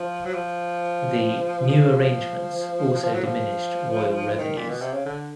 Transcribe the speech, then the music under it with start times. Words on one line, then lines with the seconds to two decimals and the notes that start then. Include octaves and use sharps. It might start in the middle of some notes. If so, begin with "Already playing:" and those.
The "new arrangements" also diminished royal revenues.
Already playing: F3
0.26 F#3
0.34 F3
1.69 F3
3.04 F3
3.14 F#3
3.25 F3
4.38 D#3
4.57 A#2
4.69 B2
4.81 C3
4.93 C#3
5.06 D3